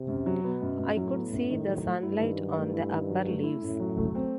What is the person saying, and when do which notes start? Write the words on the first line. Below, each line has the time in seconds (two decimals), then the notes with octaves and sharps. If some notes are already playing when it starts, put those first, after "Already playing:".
I could see the sunlight on the upper leaves.
Already playing: C3
0.08 F#2
0.26 F#3
0.43 B2 B3
0.62 F#2
0.79 F#2
0.97 A2 F#3
1.15 B3
1.32 F#2
1.50 D#3
1.67 F#3
1.85 A3
2.03 G2 E4
2.20 D#3
2.38 F#3
2.56 A3
2.73 E4
2.91 D#3
3.09 F#3
3.27 A3
3.43 E4
3.61 F#2 A2
3.80 F#3
3.97 A3
4.15 C4